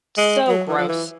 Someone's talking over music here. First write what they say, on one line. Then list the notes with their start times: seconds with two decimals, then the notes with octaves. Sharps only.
So gross.
0.18 G#3
0.48 F#3
0.68 E3
0.78 F3
0.89 E3